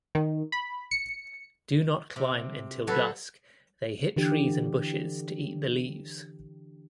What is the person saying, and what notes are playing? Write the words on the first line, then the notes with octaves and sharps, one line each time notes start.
Do not climb until dusk they hit trees and bushes to eat the leaves.
D#3
B5
C#7
C3
F#3 F#4 A4 B4
D3 E3 G4